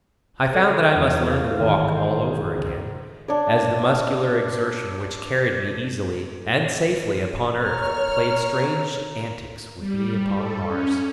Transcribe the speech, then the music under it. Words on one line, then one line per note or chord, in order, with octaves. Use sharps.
I found that I must learn to walk all over again, as the muscular exertion which carried me easily and safely upon Earth played strange antics with me upon Mars.
A4
E2
F5
F6
G#1
C5
G#4
C#2
D4 C#5 D5
A#4 C#5 F6
G3
A4
C#4